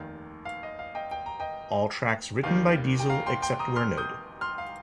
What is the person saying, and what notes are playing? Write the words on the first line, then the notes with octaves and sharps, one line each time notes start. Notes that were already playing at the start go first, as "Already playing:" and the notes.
All tracks written by Diesel except where noted.
Already playing: F1 D#2 D#3 F5
F5
D#5
F5
D#5 G5
G5
A#5
D#5 G5
D#2 D#3 G3 F5
G5
F5 A#5
G5 C6
G5 C6
A#5 D#6
C6 F6
D#6 G6
C6 F6
F5